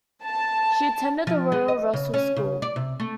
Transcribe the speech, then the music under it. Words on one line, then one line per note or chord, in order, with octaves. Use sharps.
She attended the Royal Russell School.
A5
F3
G#3
D#5
C#3
C#4
C#3
D5
C3
A3